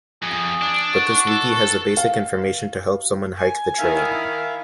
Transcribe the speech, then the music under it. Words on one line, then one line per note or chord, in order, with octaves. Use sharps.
But this wiki has the basic information to help someone hike the trail.
F2 G#4
D4
F#4
A4
F5
G#5
D#3 E4 E5 F5